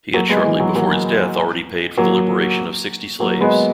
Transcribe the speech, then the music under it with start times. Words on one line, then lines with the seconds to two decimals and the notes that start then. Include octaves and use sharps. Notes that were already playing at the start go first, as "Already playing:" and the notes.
He had shortly before his death already paid for the liberation of sixty slaves.
0.14 F#3 A#3
0.29 G#3 B3
0.45 E3
0.60 F#3
0.75 F#3 A#3
1.98 F#3 A#3
3.20 F#3 A#3
3.41 G#3 B3